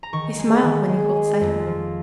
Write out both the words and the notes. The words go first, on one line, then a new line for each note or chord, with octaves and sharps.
He smiled when he caught sight of her.
A#5
D#3 C#6
G#3
D#3
G#3
G#3
F2
F3